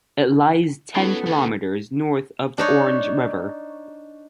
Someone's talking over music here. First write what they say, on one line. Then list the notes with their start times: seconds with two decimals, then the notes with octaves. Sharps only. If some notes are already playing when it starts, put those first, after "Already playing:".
It lies ten kilometres north of the Orange River.
0.95 F#3 B3 C#4 D#4 F4 A4
1.26 D2
2.58 D4 D#4 C#5